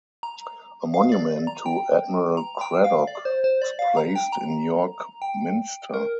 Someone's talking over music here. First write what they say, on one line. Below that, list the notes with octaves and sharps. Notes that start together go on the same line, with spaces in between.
A monument to Admiral Cradock was placed in York Minster.
A#5
F5
D5
A#5
G5
A#5
G5
F5
D5
C5
C5
D5
F5
A#5
G5
A#5
G5
A#4